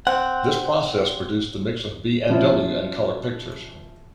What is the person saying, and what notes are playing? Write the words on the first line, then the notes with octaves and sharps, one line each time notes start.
This process produced the mix of B and W and color pictures.
C4 F#5
F3 C#4 E4 F4